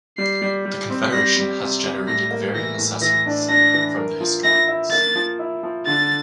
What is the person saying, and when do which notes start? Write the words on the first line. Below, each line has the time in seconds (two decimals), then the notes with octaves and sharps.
The Confederation has generated varying assessments from the historians.
0.18 G3 C7
0.42 G3
0.65 G3
0.89 C4
1.13 G3 A#6
1.36 G3
1.60 C3
1.84 G3
2.08 A2 A#6
2.31 A#3
2.54 E3 A#6
2.78 A2
3.02 E3 A#6
3.26 D4
3.49 D4 A#6
3.74 E3
3.97 A#4
4.20 F3
4.44 E4 A#6
4.68 E4
4.91 A#3 A6
5.15 F3
5.39 E4
5.63 F3
5.86 D3 A6